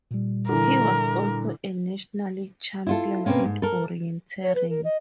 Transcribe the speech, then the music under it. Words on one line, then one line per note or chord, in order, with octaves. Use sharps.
He was also a national champion at orienteering.
A#2 G3
D3 E3 A#4
E4 F4 A4
B2 A#3 C4 C#4
G#2
A4 A#4
C#5
B4
A#4
D#5